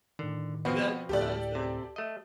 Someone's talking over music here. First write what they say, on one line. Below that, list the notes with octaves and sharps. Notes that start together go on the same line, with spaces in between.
That's awesome.
A2 D3 D#3
B2 F3 B3 C4
D2 A2 G4 A4 D5
C3
A3 D#5